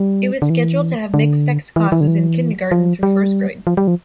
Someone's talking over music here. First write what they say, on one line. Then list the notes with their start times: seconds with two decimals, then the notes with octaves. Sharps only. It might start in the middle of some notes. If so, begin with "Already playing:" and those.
It was scheduled to have mixed-sex classes in Kindergarten through first grade.
Already playing: G3
0.42 D3
0.50 E3
1.14 D3
1.76 E3
1.92 E3
2.01 D3
2.07 E3
2.71 F3
3.03 G3
3.67 F3
3.77 G3
3.87 F3